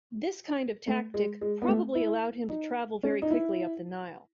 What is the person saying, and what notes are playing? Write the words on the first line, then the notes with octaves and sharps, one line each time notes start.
This kind of tactic probably allowed him to travel very quickly up the Nile.
A3
G#3
G#3
B3
A3
E4
D#4
C#4
D#4
E4